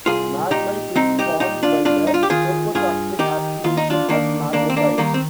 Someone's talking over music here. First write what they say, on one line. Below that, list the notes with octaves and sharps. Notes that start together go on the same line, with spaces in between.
Maghemite is formed by the topotactic oxidation of magnetite.
C2 F4 G#4
A#2 D#4 G4
C2 C4 D#4
D#4 G4
A#2 D#4 G4
D4 F4
G2 D4 F4
D#4
F4
G4
D#3 F4 G#4
G2 F4 G#4
D#3 D#4 G4
D#2 F4
D#4
D4 F4
D#3 A#3 D4
D#2 A#3 D4
C4
A#3 D4
D#3 G3 A#3
C4